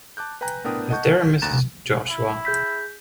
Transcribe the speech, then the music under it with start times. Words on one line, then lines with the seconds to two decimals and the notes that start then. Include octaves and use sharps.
Is there a Mrs. Joshua?
0.17 A5 D6 F#6 G6
0.41 B4 G5 G#5 A#5 F#6
0.64 A2 B3 D4 A#4 G5 D#6
0.90 D#5 F#5 A5 C#6 G6
1.42 G#1 D2 A#5 F#6 A6 E7
2.10 E4
2.45 G#4 G6 B6